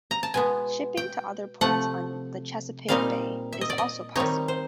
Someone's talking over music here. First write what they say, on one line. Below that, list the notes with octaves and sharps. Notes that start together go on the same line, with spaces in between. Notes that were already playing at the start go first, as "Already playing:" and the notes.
Shipping to other points on the Chesapeake Bay is also possible.
A#5
A5
B2 G#3 B3 G#5
G5
C3 F3 A3 F#5
A#2 G3 C4 D#4 F5
E5
D#5
D5
D#5
D#3 G3 C4 D#4 C#5
C5